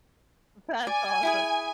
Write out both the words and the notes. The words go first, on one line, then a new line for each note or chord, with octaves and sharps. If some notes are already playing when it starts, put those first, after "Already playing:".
That's awesome.
D5 G#5
E4 G4 G#4